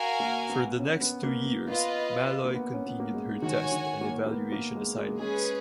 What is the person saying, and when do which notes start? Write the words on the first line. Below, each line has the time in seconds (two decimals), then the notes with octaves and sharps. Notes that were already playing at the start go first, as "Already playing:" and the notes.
For the next two years, "Maloy" continued her test and evaluation assignments.
Already playing: F#4 A#4 F5 G#5
0.20 A#3
0.49 B3
0.79 C#4
1.01 B3
1.23 A#3
1.45 B3
1.67 F4 B4 D#5
2.45 A#3
2.54 B3
2.73 C#4
2.87 B3
3.00 A#3
3.14 G#3
3.42 D#3 F#4 C#5 G#5
3.72 D#3
4.01 A#3
4.26 A#3
4.31 B3
4.52 A#3
4.75 G#3
4.97 G#3
5.09 A#3
5.19 G#3 C#4 G#4 B4